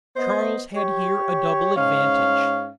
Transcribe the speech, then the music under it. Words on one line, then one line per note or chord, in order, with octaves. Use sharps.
Charles had here a double advantage.
B3 C5 D#5
G4 C#5
G#2 C#4 F5